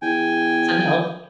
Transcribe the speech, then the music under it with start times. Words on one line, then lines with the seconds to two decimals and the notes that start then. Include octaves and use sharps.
That's unhealthy.
0.02 E2 G5 G#5